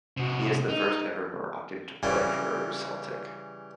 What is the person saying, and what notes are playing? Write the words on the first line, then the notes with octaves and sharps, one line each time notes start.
He is the first ever Moroccan to play for Celtic.
C3 F#4
D#4
C#3 E3 G3